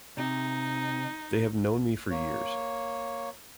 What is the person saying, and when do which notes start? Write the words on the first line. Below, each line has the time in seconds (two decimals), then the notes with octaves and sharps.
They have known me for years.
0.17 C3 D#4
2.11 A#3 C#5